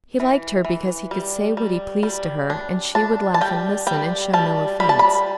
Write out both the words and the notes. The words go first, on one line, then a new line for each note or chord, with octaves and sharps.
He liked her because he could say what he pleased to her, and she would laugh and listen, and show no offence.
E3
E3
G3
G3
G3
D4
D4 A5
A5
G3 G5
G3 G5
G3 A5
G3 B5
A5
B5